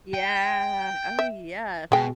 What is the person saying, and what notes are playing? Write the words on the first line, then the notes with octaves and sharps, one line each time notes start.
Yeah, oh, yes.
G5
E5
B2 G#3 G5